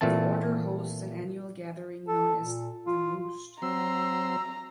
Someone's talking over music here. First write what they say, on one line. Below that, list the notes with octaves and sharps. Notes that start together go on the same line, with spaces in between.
The Order hosts an annual gathering known as the "Roost".
A#2 E3 A3 C4 A5
A4
A#2
F4
F#3 C4 A#5 C6 E6